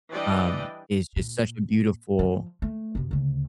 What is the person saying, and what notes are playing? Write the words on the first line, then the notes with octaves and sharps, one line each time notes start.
um, is just such a beautiful,
E3 G3 D4 D5 D#5 G5
A#2
F3
A3
F#2 C3
D2 C#3